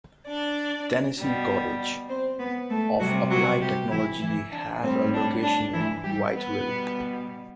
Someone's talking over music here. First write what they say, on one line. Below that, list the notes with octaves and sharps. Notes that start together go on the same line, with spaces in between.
Tennessee Colleges of Applied Technology has a location in Whiteville.
D4 D5
B2 G3
C4 C5
B3 B4
A3 A4
C3 F#3 G3 F#4
F#3 F#4
G3 G4
E3 E4
E3 E4
D4
A2 G3 C4
D4
D4
E3 E4
G3 G4
B3 B4
B2 G3